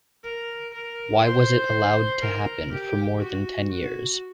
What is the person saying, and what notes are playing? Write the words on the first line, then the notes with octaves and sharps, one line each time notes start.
Why was it allowed to happen for more than ten years?
A#4
A#4
C5
A#4
G4
F#4
F#4